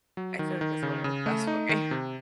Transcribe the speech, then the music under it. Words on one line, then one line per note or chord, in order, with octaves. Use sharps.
I feel like it's a little stressful game.
F#3
D#3
D#3
C#3
C#3
A3
D#4
D#3
C3